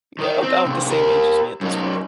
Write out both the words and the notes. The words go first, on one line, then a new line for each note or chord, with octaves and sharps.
a about the same age as me at this point.
D#3 D#4
C4
C3 D#3
G4 A#4
F#2 D#4